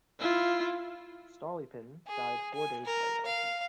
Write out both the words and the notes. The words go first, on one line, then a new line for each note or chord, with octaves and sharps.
Stolypin died four days later.
E4 F4
G#4
G#5
A#4
F5